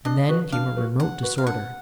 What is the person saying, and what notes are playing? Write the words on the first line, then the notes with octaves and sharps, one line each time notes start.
And then came a remote disorder.
D4 D#5
F#4 B4
D4 F5
F#4 B4
D4 F#5
F#4 B4
F5
D4 F#5